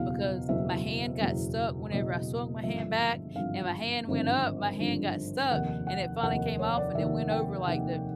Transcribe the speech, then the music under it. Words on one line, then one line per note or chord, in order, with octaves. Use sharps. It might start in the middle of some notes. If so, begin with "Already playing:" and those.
because my hand got stuck whenever I swung my hand back, and my hand went up, my hand got stuck, and it finally came off, and it went over, like, the
Already playing: F#1 E2 B2 F5
F#1 E2 B2 E5
F#1 E2 B2
F#1 E2 B2 D#5
G#1 G2 D3 F3 E5
G#1 G2 D3 F3 F5
G#1 G2 D3 F3
G#1 G2 D3 F3
F1 D#2 D#3 F#5
F#5
F1 D#2 D#3 F#5
C#5
D5
F1 D#2 D#3 E5
G5
F1 D#2 D#3 F#5